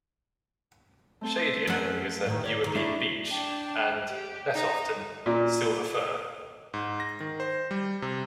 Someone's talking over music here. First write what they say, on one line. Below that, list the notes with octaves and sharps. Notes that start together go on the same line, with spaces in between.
Shadier areas have European beech and, less often, silver fir.
A3 C4 A4
F#2 A3 F#5
A2 D3 D#3
C#5 D5
E2 D#3
A3 D4 E4 F#4 D5 D#5
D4 G5 A5
G4
D#4
A#2
G#2
A#6
D#3
C5
G3
C3